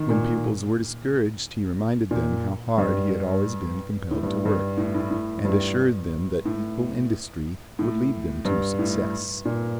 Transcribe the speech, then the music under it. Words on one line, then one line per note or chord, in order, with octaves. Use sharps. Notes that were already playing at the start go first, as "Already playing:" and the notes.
When pupils were discouraged he reminded them how hard he had always been compelled to work, and assured them that equal industry would lead them to success.
Already playing: D#3
A#2
A#2
G2
A2
G2
G2
A2
A2
A2
G2
A2
A2
G2
A2
A#2